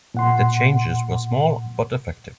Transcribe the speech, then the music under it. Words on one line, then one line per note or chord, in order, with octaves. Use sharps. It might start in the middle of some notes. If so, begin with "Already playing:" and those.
The changes were small, but effective.
A#2 F#5 C6